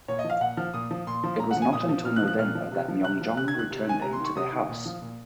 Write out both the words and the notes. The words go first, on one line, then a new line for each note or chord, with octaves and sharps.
It was not until November that Myeongjong returned them to their house.
A#2 C#5
D#5
F3
F5
A#2 F#5
F3 F6
A#2 D#6
F3
A#2 C6
F3
A#2 A#5
F#5
F3
G#5
A#2 D#6
F3
A#2 F6
F#6
F3
F#6
A#2 F6
F3
C3
F3
C3 F#6
F3
C3 F#6
G#6
D#3
F#6
C3
D#3 G#5
C3 A#5
C6
D#3 C#6
C3 D#6
D#3
A#2
F3
A#2